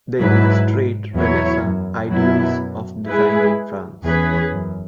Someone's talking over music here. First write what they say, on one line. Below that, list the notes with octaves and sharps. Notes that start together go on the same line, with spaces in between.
They illustrate Renaissance ideals of design in France.
G#2 F#3 E4 B4
E2 F#3 E4 C#5
F#2
F#2 B2 F#3 E4
G#3 E4 G#4 B4
E2 E3 C#4 G#4 B4
F#2